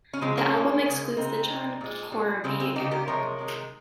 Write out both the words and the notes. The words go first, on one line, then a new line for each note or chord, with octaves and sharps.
The album excludes the John Corabi era.
C#4
C#3 F3 G#3 C4
A#3 C#4
A#2 G#3
C#3 G#3
C#3 G#3 C4 D#4
C3 G3
A#2 G#3
A#2 G3
C#3 G#3 C4
C4
C#3 G3 D#4 G4
G4 A#4
C3 F3 G#3 A#4 C#5
C3 D#3 G#3